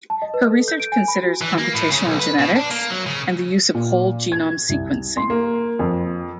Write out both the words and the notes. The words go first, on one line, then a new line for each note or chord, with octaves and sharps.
Her research considers computational genetics and the use of whole genome sequencing.
A5
D#5
B4
A4
G6
D7
G#5
B5
F#4
E3
A#3
A2
C#3
B1
B4
B2
D4
A#3
F#3
C#3
A#2
G#6
C2
C6
A#3
F2